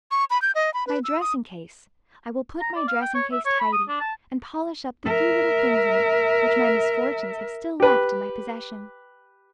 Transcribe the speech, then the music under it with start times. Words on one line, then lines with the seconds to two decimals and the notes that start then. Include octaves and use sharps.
My dressing-case--I will put my dressing-case tidy, and polish up the few little things in it which my misfortunes have still left in my possession.
0.11 C#6
0.30 B5
0.42 G6
0.55 D#5
0.74 B5
0.87 B4
1.04 E6
1.21 D#6
2.61 A#5
2.76 D5
2.88 F5
3.01 G5
3.14 C#5
3.32 E5
3.45 C#5
3.60 B5
3.73 D#6
3.88 D4
4.00 A5
5.05 A#4 E5
7.80 G4 B4